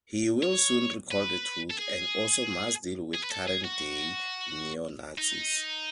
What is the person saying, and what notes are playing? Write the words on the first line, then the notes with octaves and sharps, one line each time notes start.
He will soon recall the truth and also must deal with current-day Neo-Nazis.
C#5
B4
A4
G#4
G#4
B4
A4
G#4
F#4
D#4